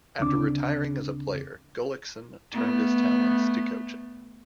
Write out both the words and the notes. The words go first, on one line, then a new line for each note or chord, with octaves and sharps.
After retiring as a player, Gullikson turned his talents to coaching.
D2 C#3 C4 D4 D6
A3 B3